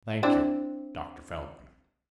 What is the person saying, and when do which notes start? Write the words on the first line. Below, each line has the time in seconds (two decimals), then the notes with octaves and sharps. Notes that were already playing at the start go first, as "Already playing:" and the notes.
"Thank you, Dr. Feldman."
0.23 C4 D4 E4